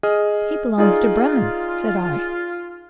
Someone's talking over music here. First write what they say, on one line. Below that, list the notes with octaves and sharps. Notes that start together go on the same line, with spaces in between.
"He belongs to Bremen," said I.
G#4 D#5 F6
D#4 F4 G#4 D5